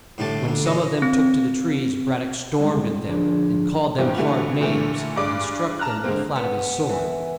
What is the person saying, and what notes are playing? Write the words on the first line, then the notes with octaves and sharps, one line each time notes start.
When some of them took to the trees, Brad-dock stormed at them, and called them hard names, and struck them with the flat of his sword.
A2 D3 G3 A3 A5
D2 D3
A#2 C#4 D#5
C4
G3 G#3 C#4 D#4
D3 F3 D4 G#4 D5
G2 E3 F3 G3 G4
D3 E3 G3 A3 F#4
A#2 D3 E3 A3
G2 G#4 D5 D6 D7
A5 A#5 F6 F#6
D3 G#3 A#3 C4
B3
E3